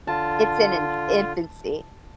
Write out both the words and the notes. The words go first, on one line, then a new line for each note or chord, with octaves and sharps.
it's in an infancy.
D3 F4 A5